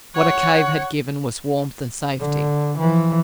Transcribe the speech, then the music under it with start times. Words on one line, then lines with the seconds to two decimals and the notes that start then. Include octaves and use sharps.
What a cave had given was warmth and safety.
0.15 C#5 F#5
2.19 D3
2.78 E3 F3